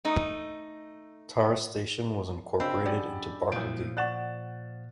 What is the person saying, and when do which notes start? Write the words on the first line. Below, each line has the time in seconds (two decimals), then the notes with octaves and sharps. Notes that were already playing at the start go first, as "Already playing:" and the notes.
Tara Station was incorporated into Barcaldine.
0.05 A3 D#4
2.60 C#3 C4 D4 F#4 D#5 B5 E6
2.86 F#2 G4 C#5 D5 G5
3.52 C2 A#2 F3 F#3 D7
3.97 D5 F#5 C#6 F#6 A6 E7